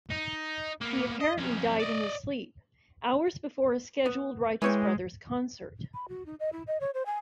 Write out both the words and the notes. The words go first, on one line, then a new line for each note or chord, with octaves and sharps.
He apparently died in his sleep, hours before a scheduled Righteous Brothers concert.
D#4
A#3 B3
D#5
F2 C#4
D5 D#5
B3
E3 G#3 C#5 G5
B5
F#4
D#4
D#5
E4
D#5
C#5
C5
G#5